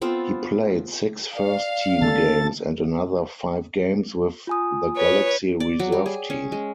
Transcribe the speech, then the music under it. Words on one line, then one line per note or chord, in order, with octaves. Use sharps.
He played six first-team games and another five games with the Galaxy reserve team.
B3 C4 F4 A4
D5 F5
D3 A3 C#4 A4 A6
F4 G#5 D#6
B4 C#5
D5
F#3
G3
G#4
C#4
G#3